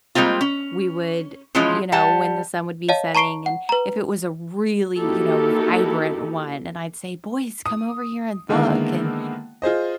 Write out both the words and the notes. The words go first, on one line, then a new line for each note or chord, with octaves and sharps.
we would, you know, when the sun would be setting and if it was a really, you know, vibrant one and I'd say, "Boys, come over here and look," and
G3 G#3 A#3 C4 F4
C#4
E3 F3 G#3 C#4 F4
G3 F#5 A5
C#5 D#5 F5 A5
A5 A#5 C#6 C7 D7 G7
F#5
B4 A#5
A#3 D#4 E4 F#4 G4 A4
D#6
D3 D#3 G#3 A#3 B3 E4
F4 G#4 C5 D#5